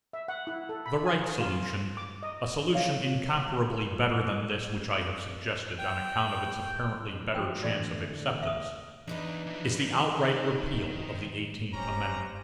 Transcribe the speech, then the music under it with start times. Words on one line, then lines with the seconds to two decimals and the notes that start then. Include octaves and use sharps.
The right solution--a solution incomparably better than this which I have suggested on account of its apparently better chance of acceptance--is the outright repeal of the Eighteenth Amendment.
0.13 E5
0.28 F#5
0.47 E4
0.69 A4
0.86 B5
1.06 G#5
1.40 F4
1.97 D6
2.23 D#5
2.73 C#5 F5
5.79 G5
7.35 F3 A3 F#4 G5
7.63 D3 E3 A3 D5
8.43 E5 D#6
9.07 E2 D4 D#4 B4
9.47 E3 F3
10.16 D#3
11.73 E1 C#4 G4 C5 A#5